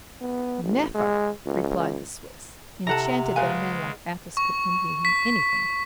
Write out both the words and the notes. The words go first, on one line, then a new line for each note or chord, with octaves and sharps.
"Neffer," replied the Swiss, enchanted that a man like Athos could envy him anything.
B3
A1
G#3
C#2
C3 E4 A4 F#5 A5 A#5
C#3 G#3 B4 F5 G#5
C#6
B6